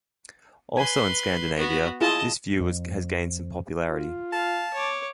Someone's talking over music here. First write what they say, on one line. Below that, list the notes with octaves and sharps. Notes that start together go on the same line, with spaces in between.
Also in Scandinavia, this view has gained some popularity.
B4 G#5 C6
B3 F#4
E4 F4 G#4 D#5 A5
F2
F4
F5 A5
C#5 D6